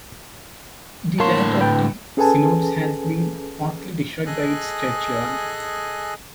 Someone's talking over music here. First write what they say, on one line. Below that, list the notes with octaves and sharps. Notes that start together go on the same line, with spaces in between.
The 'Rath of the Synods' has been partly destroyed by its churchyard.
A2 D3 A#3 C#5 A5 C6
B4 G5
C#4 G#4 A4 B4 G#5 A5
G#4 A4 D#5 G#5 F#6